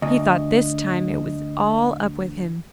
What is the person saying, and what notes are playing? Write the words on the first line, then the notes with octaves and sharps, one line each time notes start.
He thought this time it was all up with him.
D2 D#5